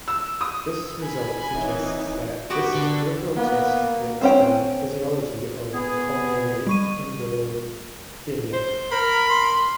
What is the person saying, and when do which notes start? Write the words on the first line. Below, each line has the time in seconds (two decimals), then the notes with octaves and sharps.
This results suggests that this peripheral test reflects the physiology of the coronary endothelium.
0.08 E6
0.41 D#6
1.02 G#5 B5
1.54 D1 E3 C4 D#4 C#5 E5
2.50 B3 F#4 G4
2.75 D3
3.37 A#3 B3
4.21 C4 C#4 G5
5.73 B3 G#4
6.67 G3 C#6 D#7
8.53 C5
8.91 A#4 B5
9.29 C6